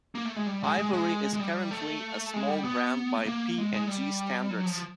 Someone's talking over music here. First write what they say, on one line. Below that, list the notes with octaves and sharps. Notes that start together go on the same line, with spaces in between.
Ivory is currently a small brand by P and G standards.
A#3
A3
G#3
G3
G#3
G#3
G#3
G#3
G3
A3
G#3
G3
B3
A3
A#3
G#3
G#3
G3
F#3
F3